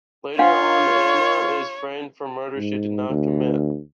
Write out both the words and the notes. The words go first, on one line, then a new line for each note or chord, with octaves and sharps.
Later on, Anya is framed for murder she did not commit.
D4 F4 C#5 F5 F#5
G#2
D2